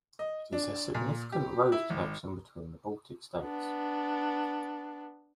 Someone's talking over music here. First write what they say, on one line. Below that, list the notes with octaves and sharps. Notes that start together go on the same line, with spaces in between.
It is a significant road connection between the Baltic states.
D#5
D4
A#2
G4
E4
G#1
B3 D4